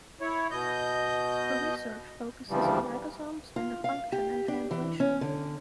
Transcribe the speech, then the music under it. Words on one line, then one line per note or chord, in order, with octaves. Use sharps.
Her research focuses on ribosomes and their function in translation.
E4 C#5
B2 D#5 G6
D2 C#3 E3 F3 G3
F4
F5
G4
D4
E3
C#4
D3